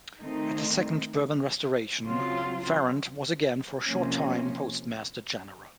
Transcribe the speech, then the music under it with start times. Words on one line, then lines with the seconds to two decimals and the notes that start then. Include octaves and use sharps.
At the second Bourbon restoration Ferrand was again for a short time postmaster general.
0.22 D#3 A3 C4 D#4
2.03 C#3 F#3 C4 F4
3.86 C3 F3 A#3 C#4